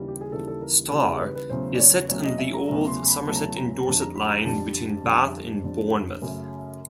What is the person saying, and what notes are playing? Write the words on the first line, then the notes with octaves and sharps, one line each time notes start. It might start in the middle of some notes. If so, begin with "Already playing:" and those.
"Star" is set on the old Somerset and Dorset line between Bath and Bournemouth.
Already playing: D#2 C#3 E3 G3
G4
G#4
D#2 C#3 E3 G3 A4
A4
A#4
D#2 C#3 E3 G3 A4
A4
G#4
A#4
B4
B4
E2 C#3 F#3 A3 C5
D5
C#5
E2 C#3 F#3 A3 C#5
D#5
E5
A#5
E2 C#3 F#3 A3 A#5
C6
B5
E2 C#3 F#3 A3 A5
A#5
A5
A#5
F2 D3 G3 A5
A#5
B5
A#5
F2 D3 G3 A5
F2 D3 G3
F2 D3 G3
F#2 C#3 F#3 A3